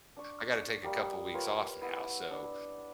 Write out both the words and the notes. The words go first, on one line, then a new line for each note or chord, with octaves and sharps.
"I gotta take a couple weeks off now," so
D4 C#6
G3 A#3 G4 D#6
F4 A#4 B4 C#5
B3 E4
D4